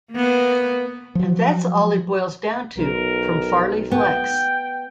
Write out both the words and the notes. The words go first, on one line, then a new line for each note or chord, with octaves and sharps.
And that's all it boils down to, from Farley Flex.
A#3 B3
F3 F#3
B1 A#4
B3 G5